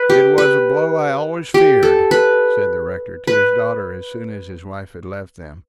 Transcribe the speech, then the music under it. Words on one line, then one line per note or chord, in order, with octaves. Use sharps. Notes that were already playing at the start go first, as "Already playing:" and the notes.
"It was a blow I always feared," said the rector to his daughter as soon as his wife had left them.
Already playing: B4
G4
B4
G4
A4
B4
B4